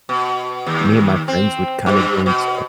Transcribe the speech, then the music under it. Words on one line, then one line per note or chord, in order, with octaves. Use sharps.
me and my friends would kind of go into
B2
D#2
C4
G2
B2